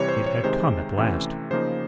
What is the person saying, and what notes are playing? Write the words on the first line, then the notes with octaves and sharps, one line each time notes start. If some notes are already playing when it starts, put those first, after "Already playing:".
It had come at last.
Already playing: C3 E3 G3 C#5
C5
C#5
C3 D#3 G#3 C5
C3 E3 A3 C#4
C#3 F3 A#3 D#4 C5